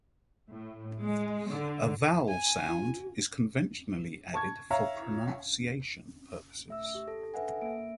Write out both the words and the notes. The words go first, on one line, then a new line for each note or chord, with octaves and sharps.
A vowel sound is conventionally added for pronunciation purposes.
A2
G#3
D3
G#5
A5 C#6 G#6
C#5 E5 F5 A#5
A3 E5 E6
G4
A4
A4 B4 E5 F#5 G#5
A#3 E5 D7